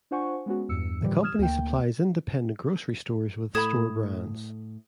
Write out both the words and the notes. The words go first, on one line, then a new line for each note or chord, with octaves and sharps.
The company supplies independent grocery stores with store brands.
D4 F4 C5 F#5 G#5 C#6
G#3 B3 C#4 F#4
E2 G2 E6 C#7
A2 D3 E3 F3 G3 G4
D#6 F6 G#6 E7
D2 A#3 G5
A2 A4 B5 D#6 G#6 E7